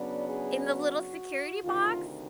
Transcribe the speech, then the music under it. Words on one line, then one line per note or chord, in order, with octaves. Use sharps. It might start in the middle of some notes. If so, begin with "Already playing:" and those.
In the little security box?
Already playing: C#3 F#3 B3 D4 D5
G#4
F#4
D2 C3 D#3 F4